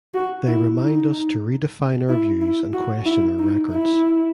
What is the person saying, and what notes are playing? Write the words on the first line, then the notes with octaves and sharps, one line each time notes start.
They remind us to redefine our views and question our records.
F#4
E4
D#4
E4
E4
F#4
E4
D#4
E4